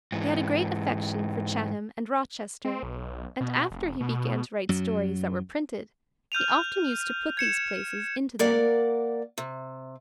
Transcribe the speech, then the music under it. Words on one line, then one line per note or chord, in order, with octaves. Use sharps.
He had a great affection for Chatham and Rochester, and after he began to write stories that were printed, he often used to put these places into them.
G#2 E3
C4
B1
B2
F1
B2
F#2 F#3
F6 G6 D#7 F7
G#6 C#7 E7
A#3 A#4 D5 F#5
C3